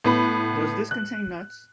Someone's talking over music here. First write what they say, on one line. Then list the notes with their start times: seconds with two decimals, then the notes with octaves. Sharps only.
Does this contain nuts?
0.04 A2 B3 B5
0.91 F#6